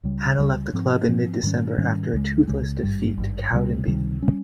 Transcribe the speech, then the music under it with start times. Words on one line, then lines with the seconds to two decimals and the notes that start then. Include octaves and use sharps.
Hannah left the club in mid-December after a toothless defeat to Cowdenbeath.
0.04 C#2 C#3 G3
0.39 C#2 C#3 G3
0.73 G#2 F3 C4
1.08 G#2 F3 C4
1.43 G#2 D#3 G3 C#4
1.78 G#2 D#3 G3 C#4
2.13 C#2 C#3 G#3
2.48 C#2 C#3 G#3
2.83 G#1 G2 G3
3.17 G#1 G2 G3
3.52 C#2 C3 D#3 G3
3.87 C#2 C3 D#3 G3
4.22 G3 C#4